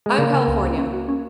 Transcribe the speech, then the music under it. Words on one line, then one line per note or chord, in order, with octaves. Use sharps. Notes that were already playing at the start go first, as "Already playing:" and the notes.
I'm California,
G#3
C#3 A#3
C#3
C#2
C#2
C#4
F#4
C#4